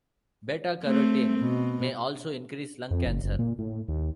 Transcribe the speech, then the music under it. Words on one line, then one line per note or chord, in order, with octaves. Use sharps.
Beta-carotene may also increase lung cancer.
A3 C4
B2
F2
F#1
F#1
A#2
A2
D#2